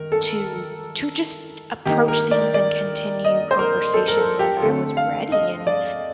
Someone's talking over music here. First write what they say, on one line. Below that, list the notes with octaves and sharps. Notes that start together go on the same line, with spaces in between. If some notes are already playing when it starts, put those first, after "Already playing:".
to to just approach things and continue conversations as I was ready, and
Already playing: D#3 A#4
A4
D#3 A#3 D#4 G4
A#4
D5
D5
D#5
C5
A#4
A4
A#4
A4
G4
D3 A3 C4 A4
F5
D#5
D5